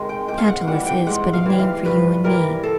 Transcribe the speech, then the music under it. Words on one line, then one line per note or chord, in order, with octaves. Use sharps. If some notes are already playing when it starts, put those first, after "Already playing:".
Tantalus is but a name for you and me.
Already playing: C3 D#3 G#3
G5
G#2 G5
F5
F#5
E3 G3 F#5
G5
G#2 F#5
F5
E3 G3
F5
G2 B4
E3 G3 A#4
A4